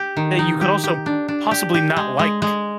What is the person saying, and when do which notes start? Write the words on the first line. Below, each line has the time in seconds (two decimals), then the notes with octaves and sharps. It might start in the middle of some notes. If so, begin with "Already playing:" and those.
That you could also possibly not like.
Already playing: G4
0.17 D#3
0.39 D#4
0.61 G4
0.84 G4
1.06 D4
1.28 D4
1.51 G4
1.74 G4
1.97 G#3
2.19 G#3
2.42 G#3